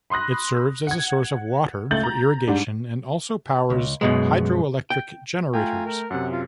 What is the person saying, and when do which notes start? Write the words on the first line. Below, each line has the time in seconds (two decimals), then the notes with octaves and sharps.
It serves as a source of water for irrigation and also powers hydroelectric generators.
0.10 B5 C6 D#6 F#6 A#6
0.87 F#5 G#6
1.91 C#2 A3 G6 A6 F#7
2.03 A#5
2.47 G#2 G3 D4
3.70 C#2
4.01 F#2 B2 G#3
4.90 G5
5.54 A3 F4 G5 G#5 A#5
5.85 A#4
6.10 F#2 C3 F#5
6.32 F4